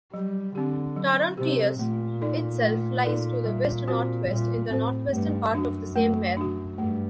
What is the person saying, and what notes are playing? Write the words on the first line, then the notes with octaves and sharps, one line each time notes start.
Taruntius itself lies to the west-northwest, in the northwestern part of the same mare.
F#3 G3
D3 C4 G4
F#3
C3 C4 G4
A#2 A3
D#4 A4 D5
A3
D#4 A4 D5
G3
C4 F#4 C5
A#2 G3
A2 C4 F#4 C5
G2 A3
F#2 D4 F#4
A3
D4 F#4
G2 A3